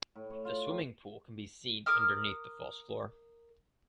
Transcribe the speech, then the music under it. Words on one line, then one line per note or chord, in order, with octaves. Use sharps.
The swimming pool can be seen underneath the false floor.
A2
C#5
F4
D#3
A#4 D6 D#6 F6